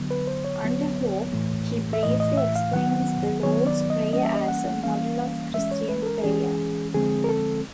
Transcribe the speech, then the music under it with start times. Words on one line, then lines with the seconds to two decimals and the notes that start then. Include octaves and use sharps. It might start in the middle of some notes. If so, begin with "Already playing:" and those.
Under Hope, he briefly explains the Lord's Prayer as a model of Christian prayer.
Already playing: D3 F#3 B3
0.11 B4
0.27 C5
0.45 C#5
0.62 D3 F#3 B3
1.33 A2 E3 A3
1.93 E5
2.03 A2 E3 A3 D#5
2.20 D#5
2.37 E5
2.56 F5
2.73 D#3 F#3 B3 F#5
3.43 D#3 F#3 B3 C#5
3.67 D5
3.90 D#5
4.13 E3 G3 A#3 C#4 D#5
4.25 E5
4.35 D#5
4.48 F#5
4.83 E3 G3 A#3 C#4 F5
5.54 E3 G#3 C#4 E5
5.71 C#5
5.89 B4
6.02 A4
6.07 A#4
6.24 E3 G#3 C#4 G#4
6.94 D3 F3 G#3 C4 G#4
7.24 A#4
7.29 A4